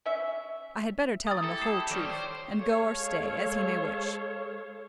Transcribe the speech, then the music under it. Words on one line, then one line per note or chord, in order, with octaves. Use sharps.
I had better tell him the whole truth, and go or stay, as he may wish.
C#4 E5
G#5 A#5 D#6 A6
E4 G4 A4 E5
D#6 C7 E7
D#3 G3 C#5 D5 G5
C5
G#3 A4 C#5 F5